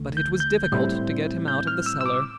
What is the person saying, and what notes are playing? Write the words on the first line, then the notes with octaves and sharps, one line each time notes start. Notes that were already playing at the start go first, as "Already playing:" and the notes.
But it was difficult to get him out of the cellar.
Already playing: D2 D3 A3
G6
G6
G6
A2 G3 C4 E4
G6
F6
E6
E6
D6